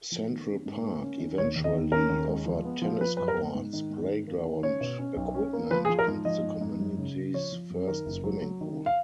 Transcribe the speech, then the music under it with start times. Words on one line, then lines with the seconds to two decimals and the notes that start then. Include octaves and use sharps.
Central Park eventually offered tennis courts, playground equipment, and the community's first swimming pool.
0.12 F3
0.29 D#3
0.47 C#4
0.66 G#2
0.83 A#3
1.01 C#4
1.19 D#3
1.37 D#2 C#5
1.56 D#2
1.64 D#5
1.73 D#3
1.92 C#4 A#4
2.10 D#2
2.28 G#3
2.46 F3
2.65 B3
2.82 F3
3.01 F3 B4
3.17 F#2 B4
3.28 A#4
3.36 B3
3.55 G#2
3.73 D#3
3.90 G#2
4.09 D#3
4.27 A#3
4.44 D#3
4.63 C#4 C#5
4.81 B2
4.98 C#4
5.17 B1
5.34 C#4
5.53 A#3
5.71 F3 B4
5.85 G#4
5.89 F3
5.99 A#4
6.08 G#2
6.25 F3 D#5
6.43 G#2
6.61 G#2
6.79 F#2
6.98 C#3
7.16 C#3
7.34 F3 C#5
7.52 F3
7.70 F#2
7.88 D#3 A#4
8.06 F#1
8.24 F#3
8.42 F#3
8.61 D#3
8.86 F5